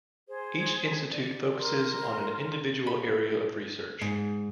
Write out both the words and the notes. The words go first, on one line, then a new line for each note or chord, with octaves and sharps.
Each institute focuses on an individual area of research.
G#4 C5
D5
A#4 C6
B5
G#2